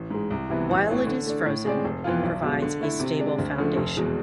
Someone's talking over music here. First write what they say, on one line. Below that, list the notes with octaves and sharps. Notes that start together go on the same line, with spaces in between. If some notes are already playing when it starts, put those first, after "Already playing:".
While it is frozen, it provides a stable foundation.
Already playing: A1
G#2 G#3
C2
C3 E3 B3 E4
A1
A2 E3
D3
A3 D4
A2
G#3 C4 G#4 D5
F1
F2 E3 B3 F4
B1
B2 G#3
D3
A3 E4
C3
G#3 D4
D2
D3 F3 A3
F1
E2 B2 G#3